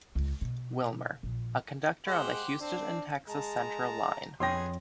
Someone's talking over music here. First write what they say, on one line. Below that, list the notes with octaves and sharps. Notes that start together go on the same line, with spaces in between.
Wilmer, a conductor on the Houston and Texas Central line.
C#2
B2
A#1
G#3 G4 C5 F#5
C4 D4
G#3 A5 A#5
F2 B3 G#4 C#5 G5 C6 D#6 A#6